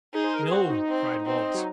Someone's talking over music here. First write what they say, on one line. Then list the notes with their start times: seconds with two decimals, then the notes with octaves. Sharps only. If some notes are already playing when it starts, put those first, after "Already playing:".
"No," cried Wallace.
0.14 D#4 G#4
0.24 C5
0.33 A#4
0.42 G#4
0.51 C4 F#4
0.69 D#4
0.88 C4
1.26 C4
1.54 F#3